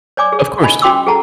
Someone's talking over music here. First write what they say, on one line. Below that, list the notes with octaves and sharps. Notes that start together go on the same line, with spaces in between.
Of course,
C#5 D5 G#5 D6
G#4
D#5 G#5 B5
C#4 F#4 G5 C6 D6 E6
G#4 A4 F#5 A5 A#5